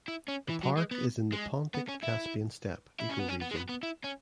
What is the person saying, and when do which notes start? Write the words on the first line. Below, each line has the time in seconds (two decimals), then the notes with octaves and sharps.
The park is in the "Pontic–Caspian steppe" ecoregion.
0.08 E4
0.28 C#4
0.50 E3
0.64 F#3
0.77 G#3
0.91 B3
1.33 G#3
1.75 B3
1.88 C#4
2.03 E4
3.00 E4
3.10 C#4
3.20 B3
3.29 C#4
3.42 B3
3.51 G#3
3.56 B3
3.69 B3
3.83 E4
4.04 C#4